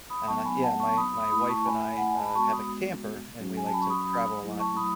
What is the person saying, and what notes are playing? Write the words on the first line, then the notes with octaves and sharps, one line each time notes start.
uh, yeah. My my wife and I, uh, have a camper, and we like to travel a lot an
B5 D#6
F#3 B3 D#4 A5 C#6
G#5 B5
F#5 A5
A5 C#6
B5 D#6
B5 D#6
A3 E4 B5 D#6
A5 C#6
G#5 B5
F#5
G#5
A5
B5
G#3 B3 F#4 A5 C#6
B5 D#6
F#3 C#4 F#4
G#5
A5
B5
C#6
B5 D#6
F#3 A3 E4
A5 C#6
B5 D#6